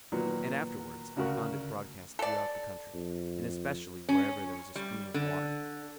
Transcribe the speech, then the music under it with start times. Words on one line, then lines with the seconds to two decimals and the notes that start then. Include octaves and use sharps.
And afterwards I found it broadcast throughout the country, and especially wherever there was a stream of water.
0.12 A#2 D#3 F#3 B3
1.16 D2 C#3 F#4 A#4 C#6
2.19 A4 D5
2.94 F2
4.09 C#4
4.76 G3
5.14 D3